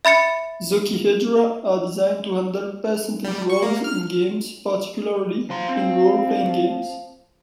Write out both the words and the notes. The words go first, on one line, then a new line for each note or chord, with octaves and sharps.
Zocchihedra are designed to handle percentage rolls in games, particularly in role-playing games.
E5 B5 A6 C#7
G3
C#6
A#3
F6
F3 F#3 C6
C4